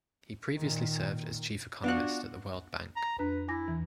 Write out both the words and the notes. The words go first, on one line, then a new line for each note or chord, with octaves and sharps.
He previously served as chief economist at the World Bank.
A#2 D#3
B3 D4 F4 F#4 F#6
A#5
F2 D4 B4 A#5
E4 G#5 D6 A#6
E2 E3